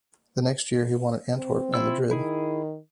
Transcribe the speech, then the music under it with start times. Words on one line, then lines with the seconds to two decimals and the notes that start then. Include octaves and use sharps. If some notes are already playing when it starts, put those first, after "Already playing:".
The next year he won at Antwerp and Madrid.
1.35 C4
1.74 E4 F4 E6
2.11 D#3 E4 G#4